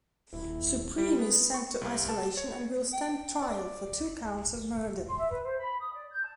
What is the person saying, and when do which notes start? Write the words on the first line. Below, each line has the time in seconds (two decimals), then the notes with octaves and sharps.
Supreme is sent to isolation and will stand trial for two counts of murder.
0.33 D#1 E4
0.98 G3
1.19 B3
1.54 C#6
1.81 C2
2.09 A5
2.37 C#5
2.93 G5
3.42 D5
5.05 C6
5.17 E5
5.30 B4
5.43 C5
5.59 B5
5.79 D#6
5.93 D5
6.09 G6
6.23 A5